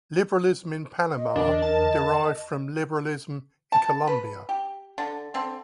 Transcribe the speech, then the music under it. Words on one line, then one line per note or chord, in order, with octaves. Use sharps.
Liberalism in Panama derived from liberalism in Colombia.
D#5
E2 D3 D4 A#4
A5
A5
B4
G4
D3
D3 C4